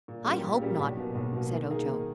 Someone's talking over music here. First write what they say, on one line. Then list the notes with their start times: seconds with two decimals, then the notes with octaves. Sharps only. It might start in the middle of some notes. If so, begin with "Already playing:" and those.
"I hope not," said Ojo.
0.08 A#2
0.26 G3 A#3 C#4 G4
0.44 A#2
0.61 G3 A#3 C#4 G4
0.79 B1
0.97 B2 A#3
1.15 B1
1.33 B2 A#3
1.51 D#3
1.70 A#3 D#4 G#4
1.86 D#3